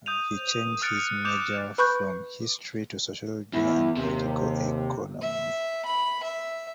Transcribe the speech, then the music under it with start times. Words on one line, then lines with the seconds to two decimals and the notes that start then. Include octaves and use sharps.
He changed his major from history to sociology and Political Economy.
0.06 D#6 G6 D#7 F7
0.82 D#6 F6 F#6 A6 C#7 D7
1.25 D6 D#6 G6 E7 F7
1.78 B4 B5 C#6 F#6 G6
3.54 E2 E4
3.97 D#2 C3
5.21 E5
5.86 B5
6.23 E5